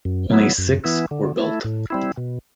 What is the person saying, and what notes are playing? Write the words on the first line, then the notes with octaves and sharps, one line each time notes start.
Only six were built.
F#2
F#3 B3 E4
F#2
E3 B3 E4
D3
A3 E4
A2
G3 C4 E4
B2